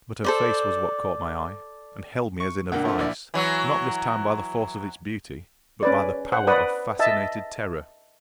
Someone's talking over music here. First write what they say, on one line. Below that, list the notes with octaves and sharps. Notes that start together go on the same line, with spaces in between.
But her face was what caught my eye, and held me as in a vice, not this time by the force of its beauty, but by the power of fascinated terror.
A4 C5 D5
C#6
C#2 A#2 D4 A#4 F#5
F3 A3
A#1 E4 D5
E3 F#3
C#4 B4 D5
C5 F#5
B4 D5 F#5 D#6
D#5 E5 A5